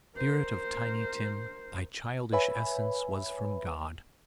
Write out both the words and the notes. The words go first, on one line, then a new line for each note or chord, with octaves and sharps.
Spirit of Tiny Tim, thy childish essence was from God!
A#4 C5
B4 C#5 E5 G#5 B5